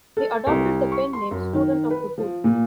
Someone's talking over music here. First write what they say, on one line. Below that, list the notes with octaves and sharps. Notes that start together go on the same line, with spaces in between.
He adopted the pen name "Student of the Good".
A4
C2
C#6
C6
F#2
D#3
B4
F3
A#2